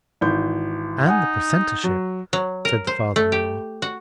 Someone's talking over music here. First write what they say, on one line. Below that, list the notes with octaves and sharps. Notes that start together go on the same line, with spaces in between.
"And the precentorship," said the father-in-law.
G#1 E3 G6
D#4 F#5 G#5
F#3
F#3
A#4
C5
A3
G4
F#4